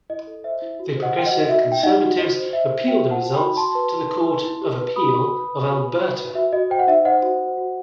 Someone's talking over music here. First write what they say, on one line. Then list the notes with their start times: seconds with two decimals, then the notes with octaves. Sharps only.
The Progressive Conservatives appealed the results to the Court of Appeal of Alberta.
0.10 E4 D#5
0.27 A4
0.44 C5 E5
0.62 E4
0.79 F#4
0.96 C5
1.02 D#5 F#5
1.14 C5 G5
1.26 D#5 F#5
1.31 F#4
1.40 D#5
1.49 F#4 E5
1.66 D#4
1.72 G5
1.83 D#4 D#5 F#5
2.01 F#4
2.18 F#4 D#5
2.36 C5
2.53 C5 E5
2.70 C5
2.87 F#4 E5 G5
3.06 C5 F#5 A5
3.23 F#4
3.34 G5 B5
3.40 F#4
3.57 F#4 A5 C6
3.75 B4
3.92 B4
4.09 B4
4.27 B4
4.44 E4
4.62 G4
4.79 B4
4.96 F#4 B5 D#6
5.14 F#4
5.31 B4
5.48 B4
5.66 F#4
5.84 B4
6.01 F#4
6.18 B4
6.35 F#4 E5
6.53 F#4 D#5
6.70 C5 G5
6.79 F#5
6.88 D#4 E5
7.05 C5 D#5 F#5
7.23 F#4
7.39 C5
7.57 F#4